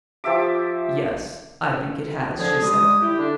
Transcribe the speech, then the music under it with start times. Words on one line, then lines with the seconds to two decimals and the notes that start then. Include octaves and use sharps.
"Yes, I think it has," she said.
0.24 F3 G4 E5 D6
2.38 D3 F3 G#4
2.61 G3 G#3 D#6
3.01 E4 G4
3.19 D3 D4